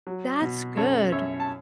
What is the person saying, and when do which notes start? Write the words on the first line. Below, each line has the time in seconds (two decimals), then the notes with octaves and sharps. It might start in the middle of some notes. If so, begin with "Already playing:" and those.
That's good.
0.07 F#3
0.42 B2
0.77 F#2 A4 C#5
1.12 F#2 C#5 E5
1.40 A5